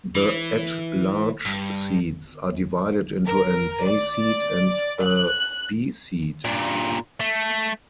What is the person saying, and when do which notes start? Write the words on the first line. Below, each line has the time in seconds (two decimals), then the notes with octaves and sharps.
The at-large seats are divided into an "A" seat and a "B" seat.
0.15 E3
1.45 G2
3.26 A#4
3.85 D5
5.02 F#6
6.45 G2 A#2
7.20 A3